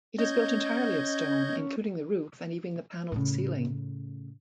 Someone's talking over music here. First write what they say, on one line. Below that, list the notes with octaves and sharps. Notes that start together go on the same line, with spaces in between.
It is built entirely of stone, including the roof and even the panelled ceiling.
C#4 D#5 G6 G#6
A2 C#3